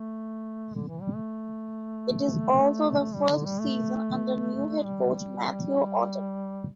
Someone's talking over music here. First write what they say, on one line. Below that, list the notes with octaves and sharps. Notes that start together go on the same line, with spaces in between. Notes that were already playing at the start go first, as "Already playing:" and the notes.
It is also the first season under new head coach Matthew Otten.
Already playing: A3
D3
E3
G3
A3
A3
G3
D3
G3
A3
G3